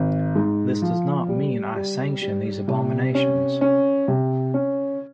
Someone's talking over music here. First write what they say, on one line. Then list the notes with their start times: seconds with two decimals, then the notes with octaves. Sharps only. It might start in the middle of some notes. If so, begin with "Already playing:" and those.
This does not mean I sanction these abominations.
Already playing: G#1
0.35 G#2
0.82 F3
1.28 G3
1.75 G3
2.22 G3
2.68 C3
3.15 C#4
3.61 C#4
4.08 C3
4.54 C#4